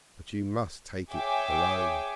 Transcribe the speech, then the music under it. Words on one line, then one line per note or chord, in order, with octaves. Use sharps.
But you must take it alone.
G#4 C#5 E5 G5 G#5 D6